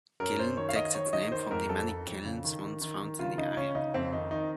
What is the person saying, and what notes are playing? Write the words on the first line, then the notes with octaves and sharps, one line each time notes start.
Kiln takes its name from the many kilns once found in the area.
F#2 A#4
F#2 C5
D#3 C#5
F5
D#3 D#5
D#3 C#5
D#3 D#5
D#3 C5
F2 A#4
F2 A4
F2
F2
C#3
D#3
D#3
D#3
D#3
C#3 F4
C#3 D#4
C#3 C#4
C#3 D#4
F2 C4
D#3 D#4
D#3 D#4